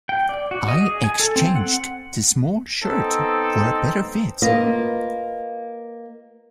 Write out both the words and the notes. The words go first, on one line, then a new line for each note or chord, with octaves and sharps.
I exchanged the small shirt for a better fit.
G5
D5
F#4
D#5
G#4
G#5
A4
C4
F#5
B3 C4 D#4 A4
A#3 F4 B4 D#5